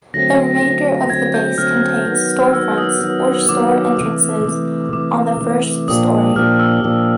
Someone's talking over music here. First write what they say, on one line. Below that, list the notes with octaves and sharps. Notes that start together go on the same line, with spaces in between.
The remainder of the base contains storefronts or store entrances on the first story.
D3 F#3 A3 C4 A#6
D3 F#3 A3 C4
D3 F#3 A3 C4 G#6
G6
D3 F#3 A3 C4 F6
D#3 F#3 B3
D#3 F#3 B3 E6
D#6
D#3 F#3 B3
D#3 F#3 B3 D6
C3 E3 A3
C3 E3 A3
C3 E3 A3 D6
C3 E3 A3
A#2 F3 A#3 D4 G4 D#6
A#2 F3 A#3 D4 G4 F6
E6
A#2 F3 A#3 D4 G4